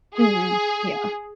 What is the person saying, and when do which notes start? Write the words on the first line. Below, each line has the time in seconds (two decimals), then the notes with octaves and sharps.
Mhm, yeah.
0.17 G#4